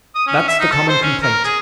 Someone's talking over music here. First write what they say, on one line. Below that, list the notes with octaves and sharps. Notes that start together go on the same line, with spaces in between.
That's the common complaint.
D#6
C#4
E5
D#4
A4
C5
C#4
A#4
G#4